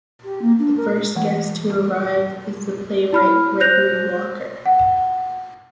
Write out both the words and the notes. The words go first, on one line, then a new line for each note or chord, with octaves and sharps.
The first guest to arrive is the playwright Gregory Walker.
G4
A#3
D4
A#4
E3 G#3 A3
E4 B5 F6
C5 F#6 G6 A#6 F7
F#5